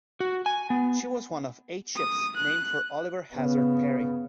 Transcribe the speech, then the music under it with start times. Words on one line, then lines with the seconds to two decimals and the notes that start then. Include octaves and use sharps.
She was one of eight ships named for Oliver Hazard Perry.
0.20 F#4
0.46 G#5
0.70 B3
1.96 D#6
2.37 F#6
3.34 C#3 B3